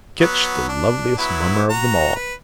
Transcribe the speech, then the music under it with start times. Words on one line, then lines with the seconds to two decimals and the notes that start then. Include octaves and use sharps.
Kinch, the loveliest mummer of them all!
0.20 F#3 B3
0.69 D4
1.18 F#3 B3 E4
1.70 F#4 A#5
2.15 B4